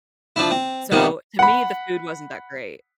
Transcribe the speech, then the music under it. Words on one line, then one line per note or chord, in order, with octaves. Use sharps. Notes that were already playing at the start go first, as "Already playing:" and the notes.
So, to me, the food wasn't that great.
F3 D4 E4
C4
C3 D#3 G3 B3
F#5 B5